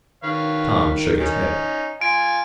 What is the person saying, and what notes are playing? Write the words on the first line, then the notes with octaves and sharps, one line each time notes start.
Tom shook his head.
D#3 B4 C#5 F5
C#4 D#4
F4 F5 G#5 D7